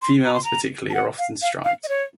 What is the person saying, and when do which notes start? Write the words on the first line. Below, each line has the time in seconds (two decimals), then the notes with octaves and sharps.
Females particularly are often striped.
0.02 C6
0.25 A#5
0.34 C6
0.44 A#5
0.90 A5
0.94 F#5
1.18 F5
1.42 F5
1.64 F5
1.84 D#5
1.89 C#5